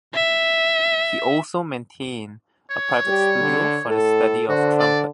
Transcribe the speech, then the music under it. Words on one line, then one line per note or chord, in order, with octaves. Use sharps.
He also maintained a private studio for the study of trumpet.
E5
C#5
G3 G4
D3
A2 A4
D3 F#4 C5
D5